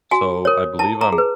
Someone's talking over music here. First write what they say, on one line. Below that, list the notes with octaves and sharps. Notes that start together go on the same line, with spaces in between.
So I believe I'm
F#4 G#5
A#4 C#5
E4 A5
A#5
G#4
B4